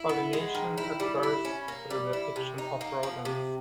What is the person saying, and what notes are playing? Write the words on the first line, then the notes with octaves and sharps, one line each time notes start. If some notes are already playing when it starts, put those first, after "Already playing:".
Pollination occurs through the action of rodents.
Already playing: E4
B3
G#3
D#3
E4
G3
E4
C#4
A#3
G3
E4
C3
D#4
A#3
F3
C3